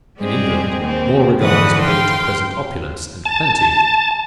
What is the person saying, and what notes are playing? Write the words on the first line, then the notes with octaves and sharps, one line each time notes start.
In England, more regard is paid to present opulence and plenty.
G3 G#3 C4 G#4
D#2 C4
F2 D3 E3 B4 F#5 D#6
F5 G5 C6
A5